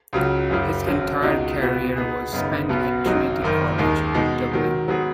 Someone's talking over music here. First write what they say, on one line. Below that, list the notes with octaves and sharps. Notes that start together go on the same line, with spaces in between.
His entire career was spent at Trinity College Dublin.
C#2 C#3 F#3
F#1 F#2 C#3 F#3
G#1 F#2 F#3 C#4
C#2 B2 G#3 D#4 F#4
C#2 B2 B3 F#4
B2 B3 D#4 G#4
F#1 F#2 C#3 B3 D#4
B1 B2 F#3 B3
G#1 F#2 F#3 D#4 F#4
F#1 F#2 D#3
D#2 D#3 G#3 D#4
B2 G#3 D#4
G#2 D#3 F#3
G#2 F#3 B3 G#4